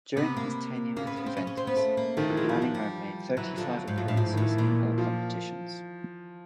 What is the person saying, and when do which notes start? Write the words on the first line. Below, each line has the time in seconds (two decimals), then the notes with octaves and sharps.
During his tenure with Juventus, Manninger made thirty-five appearances in all competitions.
0.16 C3 B3
0.37 A#3
0.97 C#3 A#3
1.07 B3
1.17 B3
1.26 C4
1.37 C#4
1.47 C#4
1.57 C4
1.67 B3
1.77 A3
1.97 A#3
2.17 D#3 A3
2.30 E3
2.37 G#3
2.44 F3
2.49 G3
2.57 F3 F#3
2.75 G3
3.37 E3 F#3
3.58 D3 F3
3.77 F#3
3.88 G#2
3.97 A2 F3
4.08 A2
4.17 G#2 F3
4.26 E3
4.34 D#3
4.37 A2 E3
4.58 A#2
4.98 F3